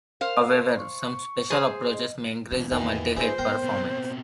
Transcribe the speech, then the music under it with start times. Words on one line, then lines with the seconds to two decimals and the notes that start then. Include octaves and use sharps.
However some special approaches may increase the multihead performance.
0.21 A#4 C5 F5
0.78 C#6
1.50 G#4 C5
1.93 D#5
2.52 E2 B2 C#4
2.72 E2 B2 D#3 E3 A#3 D#4
3.16 F4 G#4 B4 C5 E5
3.38 B3 A#4 G5 C6
3.63 B2 C4